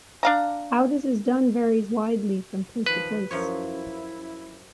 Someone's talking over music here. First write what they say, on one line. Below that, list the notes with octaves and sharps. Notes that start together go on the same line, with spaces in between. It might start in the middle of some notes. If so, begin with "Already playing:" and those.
How this is done varies widely from place to place.
D4 F5 A#5
D#3 F3 B4
F#2 F3 E4 C#5